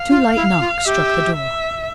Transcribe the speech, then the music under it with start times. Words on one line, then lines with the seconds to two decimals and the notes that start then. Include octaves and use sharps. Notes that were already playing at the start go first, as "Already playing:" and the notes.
Two light knocks struck the door.
Already playing: F5
0.10 F4
0.36 E4
0.60 F4
0.85 G4 E5
1.35 E5